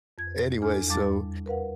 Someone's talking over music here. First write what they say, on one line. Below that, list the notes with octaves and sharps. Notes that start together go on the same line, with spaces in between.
anyway, so,
F2 G#6
E2 D4 A4 G#5 F6
E2 G3 F5 A5 D6 A6
A#4 B4 F5 F#5